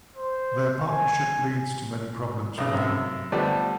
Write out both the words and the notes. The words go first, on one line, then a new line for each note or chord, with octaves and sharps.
Their partnership leads to many problems for him.
C5
G#5
B1 C#3
F#2 C3
D3 F3 G3 A3 B3 D4